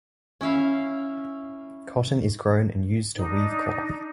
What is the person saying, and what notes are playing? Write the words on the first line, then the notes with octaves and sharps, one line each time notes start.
Cotton is grown and used to weave cloth.
C#4 E4 E5 F5
D4 D#4